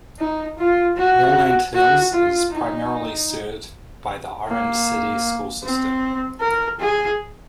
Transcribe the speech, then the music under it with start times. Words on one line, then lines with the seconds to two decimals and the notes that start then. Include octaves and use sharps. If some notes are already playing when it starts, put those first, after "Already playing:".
Moreland Hills is primarily served by the Orange City School System.
0.19 D#4
0.58 F4
0.97 F#4
1.75 F#4
2.13 F4
2.52 D#4
4.47 A#3
5.63 C4
6.40 A#4
6.80 G#4